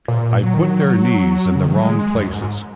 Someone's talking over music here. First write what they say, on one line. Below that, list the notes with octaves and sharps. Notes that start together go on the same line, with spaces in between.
I put their knees in the wrong places.
A#2
F#3
D#3
F#3
C#3
D#3
F#3
G#3
G#3
F#2
G#2